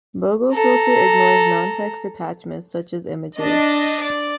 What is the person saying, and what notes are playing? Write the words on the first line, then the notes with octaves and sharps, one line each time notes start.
Bogofilter ignores non-text attachments, such as images.
A4 A#5
D4 D#5
D5